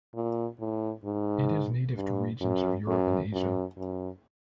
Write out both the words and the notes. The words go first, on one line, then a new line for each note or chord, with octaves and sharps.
It is native to regions of Europe and Asia.
A#2
A2
G#2
G2
F#2
F#2
F#2
F#2